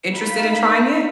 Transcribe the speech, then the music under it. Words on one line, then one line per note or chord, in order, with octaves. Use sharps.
interested in trying it?
D#4 A#4 F5 B5 B6